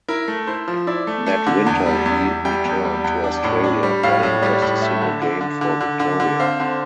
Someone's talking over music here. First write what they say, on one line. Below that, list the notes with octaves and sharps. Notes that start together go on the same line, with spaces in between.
That winter he returned to Australia, playing just a single game for Victoria.
E4 A#4
A3
E4 C5
F3
E4 D5
A3
A3
D3
E2
G3
E2
E2
G3 G5
E2
G3
E2
D4
A2
D4
G3
A2 F5
A2
G3 D5
A2
A3 E5
D3
D3
D3
D3
D3
D3
D3
C4 F5
D3